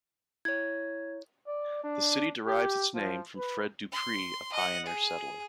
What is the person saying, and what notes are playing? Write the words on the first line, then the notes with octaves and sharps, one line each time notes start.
The city derives its name from Fred Dupris, a pioneer settler.
E4 C#5 G#6
D5
D4
G4
F3
B4
C6
D#5 F#5
G#4